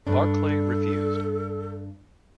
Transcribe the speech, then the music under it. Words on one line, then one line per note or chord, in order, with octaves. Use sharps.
Barclay refused.
G2 D4 A4